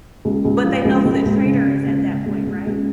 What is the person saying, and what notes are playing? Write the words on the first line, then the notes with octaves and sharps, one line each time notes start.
But they know who the traitor is at that point, right?
C#2
C#2
F3
C#2
C#2
C#2
C#3
C#3
C#2
C#3
C#2
C#2
C#2